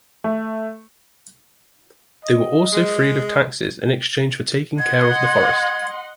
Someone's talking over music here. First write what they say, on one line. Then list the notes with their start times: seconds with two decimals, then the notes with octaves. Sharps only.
They were also freed of taxes in exchange for taking care of the forest.
0.24 A3
2.24 D#5
2.71 G#3
4.79 D#5 F#5 C6 G#6